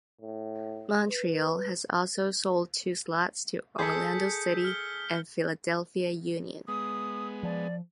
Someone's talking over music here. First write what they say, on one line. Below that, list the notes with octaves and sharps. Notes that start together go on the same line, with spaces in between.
Montreal has also sold two slots to Orlando City and Philadelphia Union.
A2
B4
G#4 A4 G6 B6 C#7
F6 G7
G#3 B3 D#6
F3 D5